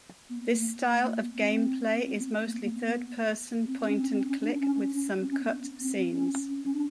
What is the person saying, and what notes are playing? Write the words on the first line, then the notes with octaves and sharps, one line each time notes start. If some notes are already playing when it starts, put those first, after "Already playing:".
This style of game play is mostly third-person point-and-click, with some cut scenes.
B3
A#3
A#3
B3
C4
C4
B3
A#3
A#3
B3
B3
C4
C#4
C4
C#4
D4
C#4
C4
C#4
B3
C4
C#4
C#4
D4